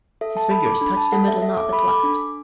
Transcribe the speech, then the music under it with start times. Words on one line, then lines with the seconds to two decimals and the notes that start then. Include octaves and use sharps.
His fingers touched the metal knob at last.
0.21 A4 E5
0.37 A5
0.51 A4 B5
0.66 D6
0.81 D4 B5
0.97 A5
1.12 A4 F#5
1.28 E5
1.42 A4 E5
1.58 D6
1.73 A4 B5
1.88 D6
2.04 D4